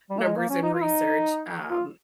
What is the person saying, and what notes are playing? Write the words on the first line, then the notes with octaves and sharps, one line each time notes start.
numbers and research, um,
G3
A#3
G#3
A#3
C#4
D#4
F4
D#4
F4